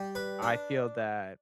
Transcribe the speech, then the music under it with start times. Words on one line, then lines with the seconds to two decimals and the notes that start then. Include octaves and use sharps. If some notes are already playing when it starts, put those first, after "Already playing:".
I feel that
Already playing: G3
0.15 B4
0.42 D4